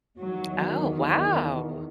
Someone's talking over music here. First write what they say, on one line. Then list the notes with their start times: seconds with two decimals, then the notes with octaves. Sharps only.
Oh, wow.
0.18 E2 D#3 F#3